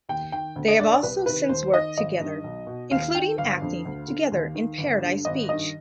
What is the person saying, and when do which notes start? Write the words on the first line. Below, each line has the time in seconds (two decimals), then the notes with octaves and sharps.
They have also since worked together, including acting together in "Paradise Beach".
0.09 D#2 G5
0.32 D#3 G5
0.56 D2
0.68 D#5
0.80 D3 D5
0.91 D5
1.03 C2 B4
1.26 C3 D#3 B4
1.49 D#2 C5
1.74 D#3 D#5
1.97 G#1 D#5
2.20 G2 D#3
2.44 B1
2.67 B2
2.91 D#2 F5
3.15 D#3 G5
3.38 G1 F5
3.62 F2 D3
3.85 D2
4.08 D3
4.32 D#2
4.55 D#3
4.78 G1
5.02 G2 D3
5.25 G#1 D#5
5.49 G2 D#3 D#5